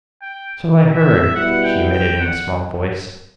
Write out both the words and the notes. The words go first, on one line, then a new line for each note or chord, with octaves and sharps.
"So I heard," she admitted in a small voice.
G5
E5
B2 G3 B3 E4 F#5
G5
G5
F#5